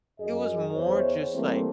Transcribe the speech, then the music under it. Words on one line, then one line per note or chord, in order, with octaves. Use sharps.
it was more just, like,
F#2 G#4 D#5
E2 C5 C#5
E3 G3 A3 A#3 C4